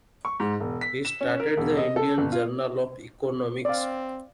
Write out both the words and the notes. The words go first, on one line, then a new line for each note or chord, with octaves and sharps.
He started the Indian Journal of Economics.
C#6
G#2
E1
B6
E7
C#4
A#4
E1
D#5
A4
G1
F4
C4 D5 F5